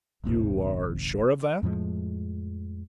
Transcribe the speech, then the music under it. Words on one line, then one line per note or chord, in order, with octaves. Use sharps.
"You are sure of that?"
D#1 G#1 D#2 C3
F2 A2 F3 G#3